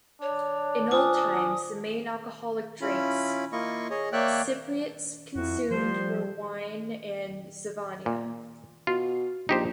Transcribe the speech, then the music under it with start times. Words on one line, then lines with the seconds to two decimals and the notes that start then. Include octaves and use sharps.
In old times, the main alcoholic drinks Cypriots consumed were wine and zivania.
0.22 D4 C#5
0.91 F4 C5 G#5 D#6
2.81 C#4 E4 F4 B5
3.52 A#3 E4 F4 D#5 C#6
3.90 G#4 C#5 D#5
4.13 A#3 C#5 D5 E5 G5 F#6
5.36 F2 E4 F#4
5.71 F3 G3 C5
8.06 A#2
8.87 B2 F4
9.49 A#1 D#4 G4 C5